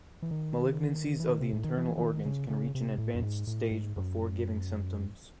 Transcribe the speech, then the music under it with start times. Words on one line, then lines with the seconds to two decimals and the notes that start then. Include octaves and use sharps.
Malignancies of the internal organs can reach an advanced stage before giving symptoms.
0.22 E3
0.31 D#3
1.20 E3
1.28 D#3
1.40 C3
1.53 A2
1.64 D#3
1.77 E3
1.98 E3
2.01 D#3
2.25 C#3
2.50 C#3
2.75 C3
2.98 A2
3.15 F#2
3.22 G#2
3.47 A2
3.71 G#2
3.96 F#2